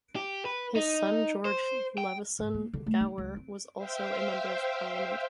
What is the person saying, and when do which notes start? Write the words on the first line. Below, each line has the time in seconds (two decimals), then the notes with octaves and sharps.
His son George Leveson-Gower was also a Member of Parliament.
0.16 G4
0.46 B4
0.76 D#4
1.45 C5
1.98 G5
2.39 G#2
2.54 A#3
2.74 D3
2.86 A3
3.01 D#4
3.18 C#2
3.36 C4
3.76 C5 E5 F5 G5